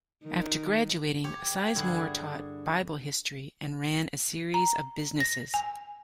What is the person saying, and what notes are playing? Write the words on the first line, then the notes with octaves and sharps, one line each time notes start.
After graduating, Sizemore taught bible history and ran a series of businesses.
D#3
G4 C#5
G2 D3 E4 G#4
A#5
A#6
G#5